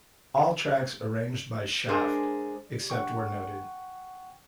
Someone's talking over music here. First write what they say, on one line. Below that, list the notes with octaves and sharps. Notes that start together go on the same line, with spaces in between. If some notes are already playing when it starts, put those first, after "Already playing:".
All tracks arranged by Schaft, except where noted.
G#3 D4 G#4 A#4 C5
F#5 G5 C#6